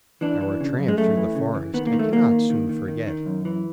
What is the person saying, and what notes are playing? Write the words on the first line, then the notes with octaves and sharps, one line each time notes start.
Our tramp through the forest I cannot soon forget.
E3 D4
E3
C#3
F#2
G#3
F#2 A3
E3
C#3
E3
D#3 B3
A#3
D#3
A3
D#3 A#3
D#3
D#3
D#3
D#3
D#3
F#2
E3